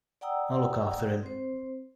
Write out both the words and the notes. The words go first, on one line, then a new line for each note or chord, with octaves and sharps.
I'll look after him.
D5 F#5 G5 A#5 D#6 E6
C4 C5